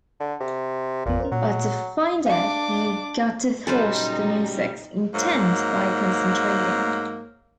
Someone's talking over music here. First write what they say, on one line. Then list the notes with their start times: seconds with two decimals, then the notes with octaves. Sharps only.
But to find it, you've got to thwart the music's intent by concentrating.
0.20 D3
0.40 C3
1.06 G#1 E2 A#2 B3
1.20 C#4 A#4 C5
1.32 A#2 F#3
2.26 D4 F5 D6
3.67 A#2 C#3 F#3 G3 D#4 A4 B4 C5
5.14 G#2 F#3 A#3